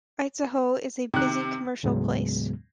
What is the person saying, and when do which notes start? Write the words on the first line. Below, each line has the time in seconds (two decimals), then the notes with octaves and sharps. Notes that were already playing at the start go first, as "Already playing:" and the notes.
Itzehoe is a busy commercial place.
1.14 C3 D#3 F#6
1.83 D#2 A2 C#3 F#3 G#3 B3